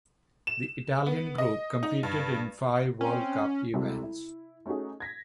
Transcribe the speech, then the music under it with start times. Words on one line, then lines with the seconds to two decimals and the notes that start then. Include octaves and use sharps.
The Italian group competed in five World Cup events.
0.47 E7
1.06 B3
1.38 D#5
1.83 D#4
2.03 G2
3.01 C4 C#4
3.74 C3 G3 G#3 E4 F#4 A4
4.03 E4
4.66 A3 C#4 D#4 F#4 G#4
5.00 G#6 A#6 B6